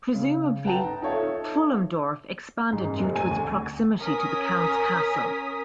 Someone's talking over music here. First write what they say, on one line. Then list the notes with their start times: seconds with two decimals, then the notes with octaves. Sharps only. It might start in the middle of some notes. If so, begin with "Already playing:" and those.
Presumably, Pfullendorf expanded due to its proximity to the counts' castle.
0.15 C#3
0.65 B4 F#5 G5 A5 A#5
0.84 D#4
1.02 D#4 F4 A4 C#5 E5 A5
2.72 G#2
2.85 F#2
2.99 F1
3.16 G#5
3.31 D2
3.99 C#4 A#4 G#5 D#6 B6